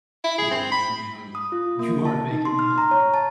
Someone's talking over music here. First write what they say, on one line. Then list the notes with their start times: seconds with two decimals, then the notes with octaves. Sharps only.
You are making me hungry. You are making me hungry.
0.24 E4
0.38 G#4
0.51 C4
0.72 B5
1.35 D#6
1.52 F4
1.79 A#3
2.05 A5
2.31 D#4
2.45 C6
2.59 F6
2.78 A#5
2.91 C#5
3.14 A5